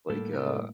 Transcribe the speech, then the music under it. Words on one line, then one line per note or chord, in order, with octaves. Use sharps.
Like, uh,
A2 G3 A#3 A4
A#4
A4